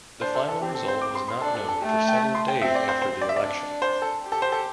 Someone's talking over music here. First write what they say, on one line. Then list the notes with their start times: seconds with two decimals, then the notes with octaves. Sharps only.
The final result was not known for several days after the election.
0.21 D4 C5
0.35 A4
0.49 A4
0.61 C4 G4
0.75 A4
0.88 C5
1.02 D6
1.15 C6
1.28 C6
1.41 D4 A4
1.55 A4
1.68 A4
1.81 A3 G4
2.08 G5
2.35 C6
2.48 G5
2.62 C4 E5
2.75 D5
2.89 C5
3.02 C5
3.21 D5
3.29 E5
3.36 D5
3.42 D4
3.82 C5
4.02 A4
4.22 G4
4.32 A4
4.42 C5
4.52 A4